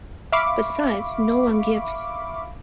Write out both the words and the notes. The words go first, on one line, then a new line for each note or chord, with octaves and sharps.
Besides, no one gives.
E5 F5 B5 C#6 D6